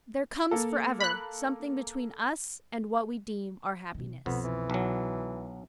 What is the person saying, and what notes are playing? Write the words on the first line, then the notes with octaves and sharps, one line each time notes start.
"There comes Forever something between us and what We deem our happiness."
A#3 A4
B5 F#6
B2 D#3
C2 F2 B2 B3
E3
B1 F#3